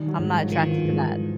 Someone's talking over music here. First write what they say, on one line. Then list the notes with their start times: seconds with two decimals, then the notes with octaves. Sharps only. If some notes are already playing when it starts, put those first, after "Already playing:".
I'm not attracted to that.
Already playing: D#3 G3
0.08 F#3
0.19 G#2
0.30 F#3
0.43 F3
0.52 D#3
0.58 E3
0.71 F3
0.85 G#2